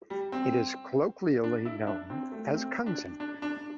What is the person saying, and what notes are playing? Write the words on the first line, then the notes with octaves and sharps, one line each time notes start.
It is colloquially known as "Kungsan".
G3
C4
D4
E4
D4
C4
A3
A3
C4
D4
D4
D4